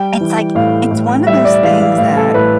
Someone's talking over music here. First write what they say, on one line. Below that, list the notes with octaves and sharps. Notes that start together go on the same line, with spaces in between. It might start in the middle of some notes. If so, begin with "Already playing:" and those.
It's like it's one of those things that,
Already playing: G3 G5
E3
A2 F5
A2
G3 E5
D5
E3 F5
F5
A2 F5
A4
A2 B4